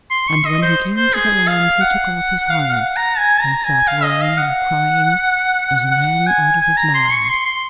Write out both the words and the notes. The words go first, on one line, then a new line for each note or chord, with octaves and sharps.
AND when he came to the land he took off his harness, and sat roaring and crying as a man out of his mind.
C6
C#6
D#5
C5
C5
G#4
F5
F#5
F5
F#5
A#5
G#5
A#5
G#5
F5
D#5
F5
F#5
F#5
G#5
G#5
A#5
C6
C#6
C6
C6